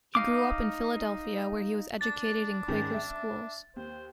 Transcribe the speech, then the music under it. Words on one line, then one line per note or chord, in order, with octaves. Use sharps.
He grew up in Philadelphia where he was educated in Quaker schools.
D#4 F5 D6
D4 A6
G#2 D#3 C#4
E5
D#2 C5